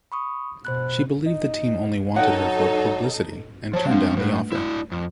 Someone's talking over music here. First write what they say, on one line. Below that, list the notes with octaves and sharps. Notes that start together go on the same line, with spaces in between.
She believed the team only wanted her for publicity and turned down the offer.
B5 C#6 D#6
B2 C5 B5 F#6
D#4
F#3 D#4 A4 F#5 G5
F3 C5 C#5 A5
F3 G3 G#3 C4 D4
A2 A3 B4
D4 E4
F2